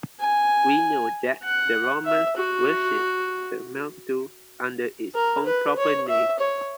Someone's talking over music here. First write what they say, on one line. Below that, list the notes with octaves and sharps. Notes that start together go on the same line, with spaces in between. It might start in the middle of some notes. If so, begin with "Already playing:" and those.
We know that the Romans worshipped the mildew under its own proper name.
G#5
F#5
E5
F#4
A#4
B4
C#5
E5
C#5